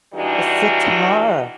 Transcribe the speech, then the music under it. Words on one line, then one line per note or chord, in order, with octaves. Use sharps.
The sitar.
E3 G3 G#3 D4 D#4 F#4